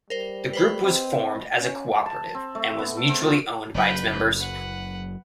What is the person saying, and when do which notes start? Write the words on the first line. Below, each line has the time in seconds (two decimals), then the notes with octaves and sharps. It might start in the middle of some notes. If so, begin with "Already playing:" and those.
The group was formed as a cooperative and was mutually owned by its members.
0.10 G3 A#4 C5
0.53 B4 C5 B5
0.84 C4 D#5
1.59 C#4
2.06 A5
2.35 C4
2.55 A3
2.79 B3
2.97 A4
3.09 C4
3.22 F4
3.75 F#1 F#3 B4 G6
4.39 B4 F#5